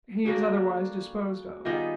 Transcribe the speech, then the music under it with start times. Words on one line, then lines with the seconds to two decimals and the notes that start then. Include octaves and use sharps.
He is otherwise disposed of.'
0.25 D3 G3 A#3 D4 F#4 G#4
1.65 D#3 G3 B3 D#4 F4 G4 G#4